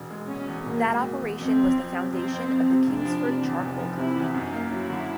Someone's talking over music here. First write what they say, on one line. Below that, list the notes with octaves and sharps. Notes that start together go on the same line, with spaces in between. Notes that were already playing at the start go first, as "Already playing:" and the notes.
That operation was the foundation of the Kingsford Charcoal company.
Already playing: E1
G#3
B2 C#4
E2
E1 A#3
G#3
B2
E2
F2 C4
F2
F3
C3
F2 C4
F2
F3
C3
F1 D4
F3
C3
E2
F1
F3
C3 E4
E2
F#2 D#4
A#3
F#3 E4
D3